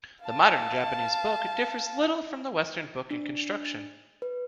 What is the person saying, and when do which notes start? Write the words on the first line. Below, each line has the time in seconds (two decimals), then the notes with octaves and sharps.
The modern Japanese book differs little from the western book in construction.
0.23 F5 A5
3.11 D4
4.22 B4